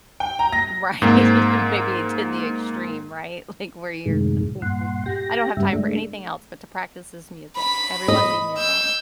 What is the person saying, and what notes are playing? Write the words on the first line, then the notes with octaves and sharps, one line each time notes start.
Right, maybe to the extreme, right? Like, where you're thinking, I don't have time for anything else but to practice this music. Everyone leave me alone.
G5
A#5
A#6
G#2 A#3 C4
F#2 A2 C3 D#3 G#3
G2 A#2 F#5 C6
G4 G5 A#6
G2 C#3 G3 E5
G#3 A3 D4
B5
D#5
E6 G6